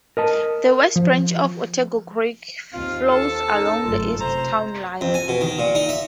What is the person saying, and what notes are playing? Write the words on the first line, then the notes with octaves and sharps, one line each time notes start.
The West Branch of Otego Creek flows along the east town line.
A#4 D#5 A5
F3
D#2 C4 F4 F5
A4 A5
C#4 D#4
F#1 G#2 A3 F4
C3 C5 A#5
F2
G#5
B2
D#3
A#2
D#4
E5